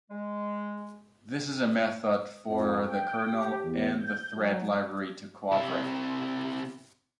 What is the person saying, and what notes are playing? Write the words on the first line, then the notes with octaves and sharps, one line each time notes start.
This is a method for the kernel and the thread library to cooperate.
G#3
F2
G5
G4
E2
G6
F#3
C3 E4